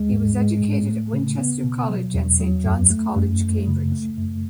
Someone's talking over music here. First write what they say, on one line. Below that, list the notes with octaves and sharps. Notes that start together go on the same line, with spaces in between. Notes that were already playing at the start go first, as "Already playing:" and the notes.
He was educated at Winchester College and Saint John's College, Cambridge.
Already playing: D#2 G#3
G#2
G#3
A2
A3
C#3
B3
B2
F#3
E2
F#3
F#2
A3
F#2
A3
C#3
A3
F#2